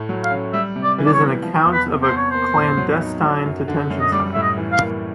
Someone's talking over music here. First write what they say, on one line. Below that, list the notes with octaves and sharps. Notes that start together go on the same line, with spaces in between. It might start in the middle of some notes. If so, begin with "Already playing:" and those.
It is an account of a clandestine detention center.
Already playing: A2 A3 E4
F#3
F5
C#4
G3 E5
C3
D5
E3
D5
C#5
B3
F3
E2
B4
C3
C5
E2
C#5
A#3 C5
A2
F#3
D#4
F#3
F#2
D3
F#2
D#5
G3 D5
A2 E5
D#5
E3
F5
A#3